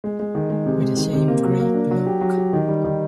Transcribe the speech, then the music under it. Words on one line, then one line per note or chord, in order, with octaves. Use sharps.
With the same grey cloak.
G#3
G#3
D#3
G#3
C3
G#3
D#3
C3
A#3
F#3
A#3
D4
F#3
G4
F#3
G4
D#3
G3
D#3